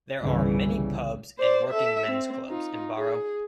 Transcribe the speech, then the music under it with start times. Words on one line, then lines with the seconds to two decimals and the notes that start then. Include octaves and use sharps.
There are many pubs and working men's clubs in Barrow.
0.20 G1 C2 C#3 E3 G3
1.39 C5 D5
1.71 A4 E5
2.08 C4
2.49 D#4 F4
2.96 G#4